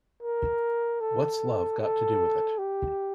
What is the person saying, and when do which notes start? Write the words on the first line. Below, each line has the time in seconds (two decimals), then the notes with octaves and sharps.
What's Love Got to Do with It?
0.22 A#4
1.01 A4
1.80 A4
2.58 G4